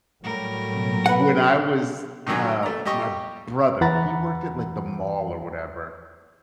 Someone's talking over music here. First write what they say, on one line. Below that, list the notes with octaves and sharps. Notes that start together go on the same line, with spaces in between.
when I was, uh my brother, he worked at, like, the mall or whatever,
A2 F#3 G3 A3 A#4
B4 F#5
A2 D3 D#3 F#3 G#5
A3 A#5
G3 G4 D#5 C#6
E2 E3 F#5 A#5 B5 A6